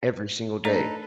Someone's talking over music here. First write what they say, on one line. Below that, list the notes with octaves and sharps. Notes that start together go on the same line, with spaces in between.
every single day.
A3 D4 D#4 A4 B4 D5